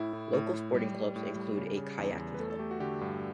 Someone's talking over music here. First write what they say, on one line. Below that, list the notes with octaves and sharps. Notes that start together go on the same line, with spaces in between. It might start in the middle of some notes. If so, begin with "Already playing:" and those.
Local sporting clubs include a kayaking club.
Already playing: A2 E4
A2
A2
A2
G3 G4
G3
A2
G3
C#3
C#3
E2
E2
B4
A3 A4
A4
A3 G4
F#4
D3 G4
G2